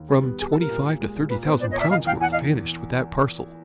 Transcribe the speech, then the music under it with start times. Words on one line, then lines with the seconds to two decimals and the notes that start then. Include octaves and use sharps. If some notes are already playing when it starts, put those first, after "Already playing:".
"From twenty-five to thirty thousand pounds' worth vanished with that parcel."
Already playing: D#2
0.09 G3
0.24 B3
0.39 G3 G#4
0.50 A4
0.55 G3 A#4
0.70 A#2
0.85 A#2
1.00 G#3
1.15 A#2
1.30 A#2 B4
1.45 B3 C5
1.60 A#2 C5 D5
1.70 C#5 D#5
1.75 A#2
1.80 D5 E5
1.91 E2 D#5 F5
2.06 E2 F5 G5
2.20 E2 F#5 G#5
2.32 D#5 F5